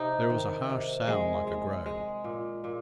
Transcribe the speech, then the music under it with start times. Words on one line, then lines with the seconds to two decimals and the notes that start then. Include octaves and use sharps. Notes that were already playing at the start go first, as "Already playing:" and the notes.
There was a harsh sound like a groan.
Already playing: C3 D#4
0.30 D#3
0.69 C3
1.07 G#3
1.47 G#3
1.86 G#3
2.24 A#2
2.64 A#2